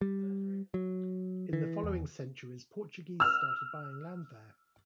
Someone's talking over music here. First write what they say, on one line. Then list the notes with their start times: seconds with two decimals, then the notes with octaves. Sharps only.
In the following centuries, Portuguese started buying land there.
0.01 G3
0.74 F#3
1.53 E3
1.83 E2
3.20 E6 F6